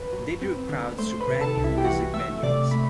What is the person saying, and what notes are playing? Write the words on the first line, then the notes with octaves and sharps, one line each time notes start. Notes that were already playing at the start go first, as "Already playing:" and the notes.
They drew crowds to brand new music venues.
Already playing: F#2 B4
F#3
C4
D3
A3 C5
C5
B4
C3
A4
C2
E4
G4
E3 F#4
A3 E5
C3 D5
A3 B5